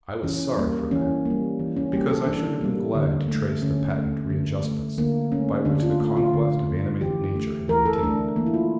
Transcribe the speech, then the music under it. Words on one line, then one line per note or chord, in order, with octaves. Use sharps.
I was sorry for that, because I should have been glad to trace the patent readjustments by which the conquest of animated nature had been attained.
E3 C#4
G3 A#3
E3 C#4
G3 A#3
E3
C#4
G3 A#3 G4
A4
E3 D4
G3 A#3
D3
A3
D3 C#4
A3
D3
A3
D3 A#3
A3 C#4
D3 D4
F4
A3 F4
F4
D3
A3
E3 G4
A3
E3 A#4
A4
A3 D4
E3 A#3
E4
F4